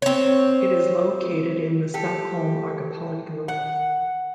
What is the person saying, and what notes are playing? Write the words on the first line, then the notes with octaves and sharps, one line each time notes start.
It is located in the Stockholm archipelago.
C4 C#5
G4 A4
F#5